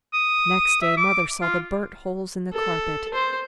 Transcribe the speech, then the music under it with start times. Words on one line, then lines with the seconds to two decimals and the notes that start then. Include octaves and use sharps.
Next day mother saw the burnt holes in the carpet.
0.13 D#6
0.81 E5
0.97 D6
1.41 F4
2.53 A4
3.14 C5